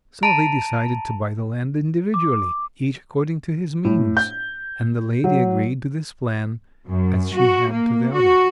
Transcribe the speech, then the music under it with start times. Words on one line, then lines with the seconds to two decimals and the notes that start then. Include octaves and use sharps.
So they decided to buy the land individually, each according to his means; and the lady agreed to this plan as she had to the other.
0.23 A5 A#5 D7 D#7
2.14 D6
3.85 A2
4.17 G6
5.24 F#3
6.90 F#2
7.35 F#4
7.72 A#3
8.15 F#4